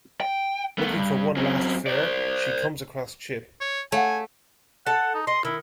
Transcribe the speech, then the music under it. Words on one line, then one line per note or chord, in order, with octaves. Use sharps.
Looking for one last fare, she comes across Chip.
G5
A3 B3
G2
F#2 C4
C5 D5
C#5
A3 C#5 F5 F#5 G#5
A4 F#5 A5
D#4
D#5 C6
D#3 E4